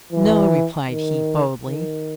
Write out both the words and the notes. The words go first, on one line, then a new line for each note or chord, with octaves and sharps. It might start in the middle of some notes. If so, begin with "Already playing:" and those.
'No,' replied he, boldly.
E3
D#3
D#3